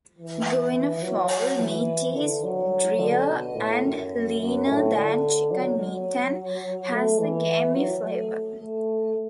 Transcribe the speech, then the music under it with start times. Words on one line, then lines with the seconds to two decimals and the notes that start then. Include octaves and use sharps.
Guineafowl meat is drier and leaner than chicken meat and has a gamey flavour.
0.19 E3
1.03 F#3
1.59 E3
2.15 D3
2.44 F#3
2.99 D3
3.28 B2
3.55 A2
3.84 F#2
4.39 F#2
4.67 A2
4.95 D3
5.51 F#3
5.79 F#3
6.92 A3
7.19 E3
7.75 F#3
8.03 A3
8.60 A3